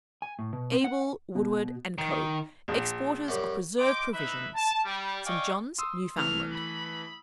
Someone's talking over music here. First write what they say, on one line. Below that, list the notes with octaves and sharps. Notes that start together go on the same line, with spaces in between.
Abel Woodward and Co., exporters of preserved provisions, St John, Newfoundland.
G#5
A2
B2
C4
F#5
B2
D#3
A#1
F#2 G3
D#5 G5 C6 D6
D#4 E4 B4 E5 B5
A5
G3
D5 D#5 F5 G5 G#5 C#6
C6 D#6 E6
E3 A3 F6
B5